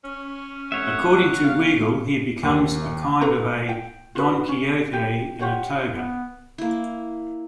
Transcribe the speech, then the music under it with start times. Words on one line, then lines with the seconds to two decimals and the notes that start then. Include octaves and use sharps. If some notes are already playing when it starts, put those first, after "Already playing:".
According to Weigel, he becomes a kind of "a Don Quixote in a toga".
0.04 C#4
0.72 F1 C#5 E5 F#5
1.44 G1 F5
2.43 D#2
3.21 F4 A4 B4 A#5
3.69 G5
4.15 F4 F#4 B4
4.48 C#4
4.93 G4
5.39 F4 G4 C#5 F#5
5.93 B3
6.58 A#3 E4